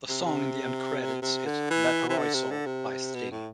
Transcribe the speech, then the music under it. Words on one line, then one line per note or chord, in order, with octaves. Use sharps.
The song in the end credits is "Valparaiso" by Sting.
C3
C3
C3
D3
E3
E3
D3
C3
D3
C3
B2
A2